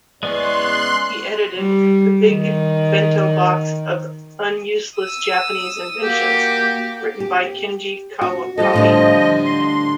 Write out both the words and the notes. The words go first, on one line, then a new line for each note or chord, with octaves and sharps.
He edited "The Big Bento Box of Unuseless Japanese Inventions", written by Kenji Kawakami.
E2 G#3 B3 C#4 B4 D5 C6 F#6
G3
D#3
D#6 E6
A#3 F#4 G4
G4
F#4
F3 G3 F4 A4 D#5
A2 D3 G3
C6